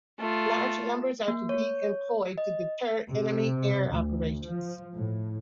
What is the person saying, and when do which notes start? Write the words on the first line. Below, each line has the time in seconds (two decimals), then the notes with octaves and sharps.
Large numbers are to be employed to deter enemy air operations.
0.19 A3 F4
1.28 A#3
1.49 C#5
2.38 D#5
3.10 C3
3.90 D2
4.44 F3
4.96 A2